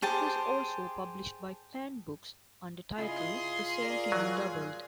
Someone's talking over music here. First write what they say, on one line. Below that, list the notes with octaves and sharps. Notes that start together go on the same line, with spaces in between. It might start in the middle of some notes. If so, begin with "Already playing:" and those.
It was also published by Pan Books under title The Same To You Doubled.
G4 G#4 C5 A5
C#3 E4 F4 G#4 D#5 C6
A#4 D5
F#3